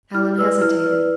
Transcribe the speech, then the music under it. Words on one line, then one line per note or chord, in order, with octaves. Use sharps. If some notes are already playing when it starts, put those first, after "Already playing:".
Allan hesitated.
E4 F6
B4 D5 E6
E4 F6
B4 D5